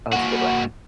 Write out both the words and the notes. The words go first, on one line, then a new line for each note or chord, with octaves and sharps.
Oh, that's a good one, yeah.
A#3 F#4